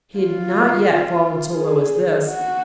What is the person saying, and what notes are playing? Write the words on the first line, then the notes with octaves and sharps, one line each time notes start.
He had not yet fallen so low as this.
F4
G#4
F#4